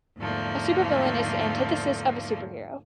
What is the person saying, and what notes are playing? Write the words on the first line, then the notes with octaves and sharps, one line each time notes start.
A supervillain is the antithesis of a superhero.
E2 G#2 D3 F3 A3 A#3